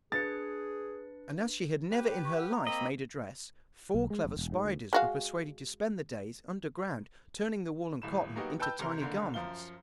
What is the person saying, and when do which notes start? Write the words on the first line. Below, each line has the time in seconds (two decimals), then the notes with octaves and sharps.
And as she had never in her life made a dress, four clever spiders were persuaded to spend the days underground, turning the wool and cotton into tiny garments.
0.12 D4 G#4 B4 A6 C#7
1.91 G4 B4
2.10 G5
2.24 C#6
2.37 F#5
2.50 A#5
2.67 A#3 C4 D#5 B5
3.94 B1
4.10 G#3
4.24 F#1
4.37 E1
4.52 G#2
4.64 D2
4.93 G#3 F#4 F5
8.02 D#1 A2 E7
8.35 F#3 A#3 B3 D#4 F#4 G4
8.60 B4 G5 A5 B5 E6 G6
8.79 G#1 C3 A#4 A#5 C6
9.02 G#1 D3 A#3
9.34 F#2 F3 F5 G7